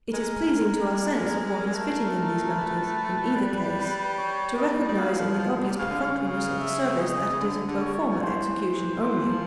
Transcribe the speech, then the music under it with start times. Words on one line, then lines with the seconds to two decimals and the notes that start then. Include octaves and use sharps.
It is pleasing to our sense of what is fitting in these matters, in either case, to recognize in the obvious perfunctoriness of the service that it is a pro forma execution only.
0.14 G#3 A#4
1.75 A3
2.56 B4
3.36 G3
4.18 C#5
4.57 D#5
4.88 G3
4.98 F#3 F5
5.13 E3
5.18 F3
5.39 F3
5.58 C3
5.79 C#3 F5
5.90 D3
6.00 C#3
6.19 F5
6.59 E5
7.00 D#5
7.33 C#3
7.40 D3
7.68 D3
7.80 C#5
8.12 F3
8.21 E3 C5
8.61 C5
8.93 D#3
9.02 E3 C5
9.29 F3